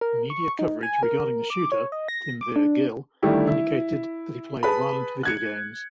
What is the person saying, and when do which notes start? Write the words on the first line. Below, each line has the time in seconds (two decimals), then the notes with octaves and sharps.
Media coverage regarding the shooter, Kimveer Gill, indicated that he played violent video games.
0.01 A#4
0.30 C#6
0.59 D#4
0.83 G#5
1.03 A#4
1.50 D6
1.72 C#5
1.92 D#5
2.08 A#6
2.41 D6
2.56 D4
3.22 D3 D#3 G3 A3 E4 G4
3.47 E4
4.63 G#4 B4 A5 B5
5.23 F#6 G#6 C#7